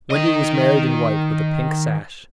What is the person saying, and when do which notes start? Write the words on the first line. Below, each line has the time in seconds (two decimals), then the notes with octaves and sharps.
Wendy was married in white with a pink sash.
0.10 D#3 D#5